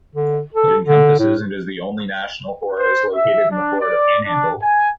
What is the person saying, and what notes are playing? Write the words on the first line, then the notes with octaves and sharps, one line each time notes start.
It encompasses and is the only national forest located in the Florida Panhandle.
D3
A4
D3
A2
C5
E5
D4
D5
D4
G#5